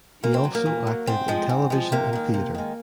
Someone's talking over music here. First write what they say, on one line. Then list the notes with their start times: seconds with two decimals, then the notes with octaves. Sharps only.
He also acted in television and theatre.
0.23 A#2 A#3
0.34 C4
0.45 F#3
0.55 A#3
0.66 A#2
0.87 F#3
1.07 G#2 C4
1.28 F3 G#3
1.49 G#2
1.70 F3 G#3
1.92 C3 A#3
2.13 D#3 G#3
2.34 C3
2.55 D#3 G#3